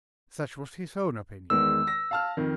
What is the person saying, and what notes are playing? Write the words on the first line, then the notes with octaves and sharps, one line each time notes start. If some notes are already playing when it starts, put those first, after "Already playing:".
Such was his own opinion.
E2 D#3 G#3 E6
A#6
F5 A5 F6
F2 D#3